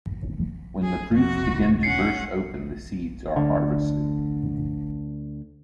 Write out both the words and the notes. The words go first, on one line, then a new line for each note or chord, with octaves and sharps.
When the fruits begin to burst open, the seeds are harvested.
G#4
F2 C3 F#4
D#1 C#2
C#4 F#5 C7 C#7
D2 D3